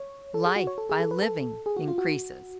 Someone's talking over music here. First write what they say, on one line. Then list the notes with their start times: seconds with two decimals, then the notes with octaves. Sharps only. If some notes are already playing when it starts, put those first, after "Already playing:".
Life, by living, increases.
Already playing: C#5
0.34 A4
0.46 G#4
0.56 F#4
0.67 C#5
0.78 A4
0.90 G#4
1.00 A4
1.11 B4
1.22 A4
1.66 G#4
1.77 F#4
1.88 F4
1.98 F#4